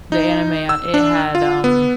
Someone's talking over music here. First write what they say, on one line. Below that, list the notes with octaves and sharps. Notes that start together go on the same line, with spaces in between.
the anime, uh, it had, um
D#4
E6
D4
F4
B3